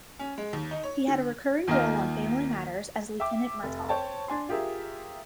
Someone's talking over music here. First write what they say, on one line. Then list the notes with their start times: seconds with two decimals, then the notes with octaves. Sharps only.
He had a recurring role on "Family Matters" as Lieutenant Murtaugh.
0.19 C#4
0.38 G#3
0.53 D#2
0.71 D#4
0.83 C#5
1.08 D3
1.67 D#2 D#3 A#3 F4 D#5 F6
3.20 E5 G5 D6
3.63 F1
3.89 C5 C#5 G5 A5
4.28 D4 G#5 C6
4.49 F4 G4 G#4 A#4 E5